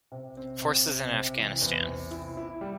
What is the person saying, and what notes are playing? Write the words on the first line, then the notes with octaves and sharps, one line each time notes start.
Forces in Afghanistan.
C3
C4
C3
C4
C3
E3
E2
C3
E4
E4
G3